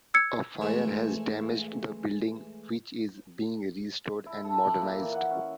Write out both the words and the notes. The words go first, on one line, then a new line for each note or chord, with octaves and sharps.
A fire has damaged the building, which is being restored and modernised.
E6 G#6 C#7
E3 G#3 A3
E4
A4
D6
A#2
E3
F#5
C#4